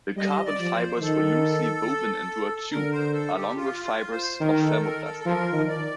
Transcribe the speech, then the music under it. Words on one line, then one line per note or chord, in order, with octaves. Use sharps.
The carbon fibers were loosely woven into a tube along with fibers of thermoplastic.
G3 D#5
D5
F3
C5
D#3 A4
D3 A#4
C5
A4
G4
F4
F4
C5
D#3 A#4
A4
A#4
A4
A4
F3 A#4
D#3
D5